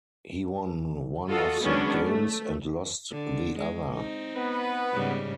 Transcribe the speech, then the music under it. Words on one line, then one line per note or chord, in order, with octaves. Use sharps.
He won one of the games and lost the other.
F4 F#4 A4 D#5
D#3 F#3 G#3 B3 C#4 D4
A3
D3
G#3
C4 D#4
B3 B4
G#2 C#3 G3